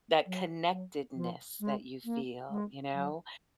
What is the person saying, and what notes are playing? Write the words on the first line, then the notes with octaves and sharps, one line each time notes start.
that connectedness that you feel, you know?
F#3
F#3
F3
G#3
A#3
G#3
F#3